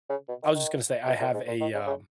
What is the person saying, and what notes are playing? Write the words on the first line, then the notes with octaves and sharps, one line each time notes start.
I was just gonna say, I have a, um
C#3
B2
D#3
D#3
B2
A#2
G#2
A#2
D#3
C#3
C#3